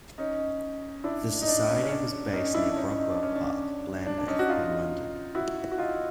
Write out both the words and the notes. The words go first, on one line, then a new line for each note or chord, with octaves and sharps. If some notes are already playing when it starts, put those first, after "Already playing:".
The Society was based near Brockwell Park, Lambeth in London.
C#4 D#4
D4 E4
D#4
D4
C#4
C#4
D4
C#4 D#4
D4 E4
D4
C#4 D#4
D#4
D4
C#4
D4
D4
D4
C#4 D#4
F#4
D#4 F4
E4 F#4
F#4
D#4 F4